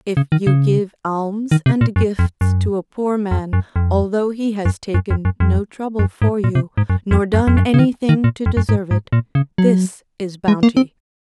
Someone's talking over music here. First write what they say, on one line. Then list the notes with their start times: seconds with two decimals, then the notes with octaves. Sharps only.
If you give alms and gifts to a poor man although he has taken no trouble for you, nor done anything to deserve it, this is bounty.
0.17 C#3
0.32 D#3
0.47 C#3
1.51 D#3
1.66 C3
1.81 A#2
1.96 F#2
2.19 F2
2.41 F#2
3.31 F2
3.53 F#2
3.76 F2
4.65 F#2
4.94 F#2
5.10 F2
5.25 F#2
5.40 F2
5.99 F#2
6.22 G#2
6.44 A#2
6.55 C3
6.78 G#2
6.90 F#2
7.11 F2
7.34 F#2
7.47 F2
7.57 F#2
7.74 C#3
7.79 D#3
8.09 D#3
8.24 A#2
8.46 F2
8.57 F#2
8.69 G#2
8.91 G#2
9.13 A#2
9.35 C#3
9.58 F#3
10.48 G#3
10.63 A#3
10.77 C4